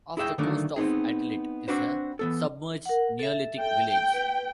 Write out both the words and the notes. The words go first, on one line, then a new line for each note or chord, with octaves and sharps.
Off the coast of Atlit is a submerged Neolithic village.
E4 G#4 E5 G5
D3 D#3 F#3 A3 A#3 D4
B3 C4 D#4 G#4
C4 D4 F#4 B4 C5
E3 B3 A4
A#4 F#5
A4 E5
G5
B4